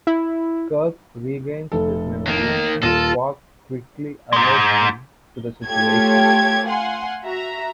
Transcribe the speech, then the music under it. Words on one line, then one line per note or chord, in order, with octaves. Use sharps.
Kirk regains his memories and Spock quickly alerts him to the situation.
E4
F1 A4
D#3 A#3
D#1 F4 A4 A#6 D#7
G#2 G#3
A3 F4 G4 A4 C#5 G#6
F5 F#5 G#5 C6
F#4 E5 A#5